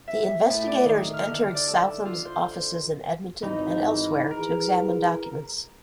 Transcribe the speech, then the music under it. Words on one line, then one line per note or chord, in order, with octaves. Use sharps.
The investigators entered Southam's offices in Edmonton and elsewhere to examine documents.
E5
A2
D5
D#3
F6
D3
D5
A4
F4
C5
G#1 E3 D#4
E4 G#4 A#4 B4